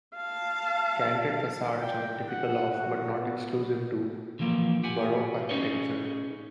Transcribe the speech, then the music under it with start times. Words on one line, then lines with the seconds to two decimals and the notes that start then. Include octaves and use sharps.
Canted facades are a typical of, but not exclusive to, Baroque architecture.
0.16 F5 A5
1.80 G5
2.28 F#5
2.79 F#4
3.18 B3
4.39 D3 E3 F3 A#3
4.83 G4 F#5 G#5
5.49 C#4 D#4 G#4 C#5 D#5